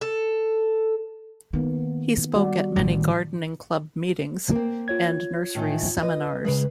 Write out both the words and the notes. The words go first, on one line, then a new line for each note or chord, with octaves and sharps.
He spoke at many gardening club meetings and nursery seminars.
A4
D#3 A#3 B3
G3 F#4 D5
A1 D#3
A#3 C4
F4 C#5 G#6
A2 D#3 E3
B4 D#5
C#3 G#3 G#4 B4